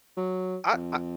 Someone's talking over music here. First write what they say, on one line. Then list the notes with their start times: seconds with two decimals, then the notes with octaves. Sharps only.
I I
0.17 F#3
0.73 F2